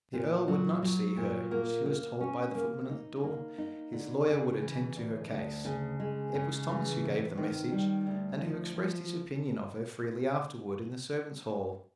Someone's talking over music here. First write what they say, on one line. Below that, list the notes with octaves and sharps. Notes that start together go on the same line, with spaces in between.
The Earl would not see her, she was told by the footman at the door; his lawyer would attend to her case. It was Thomas who gave the message, and who expressed his opinion of her freely afterward, in the servants' hall.
A#2
F#3
F#3
A#2
A#3
A#3
C#4
A#3
D#4
A#3
D#4
D3
C#3
E3
D2
D2
C#3
G#3
C#3
E3
C3
D#3
G3
D2
F3
F3